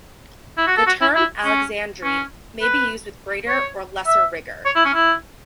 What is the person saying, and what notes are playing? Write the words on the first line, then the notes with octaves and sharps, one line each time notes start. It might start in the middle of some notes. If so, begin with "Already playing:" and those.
The term "alexandrine" may be used with greater or lesser rigor.
E4
F#4
A4
F#4
E4
E4
C#4
C#4
B4
C#5
E5
C#5
E4
C#4
E4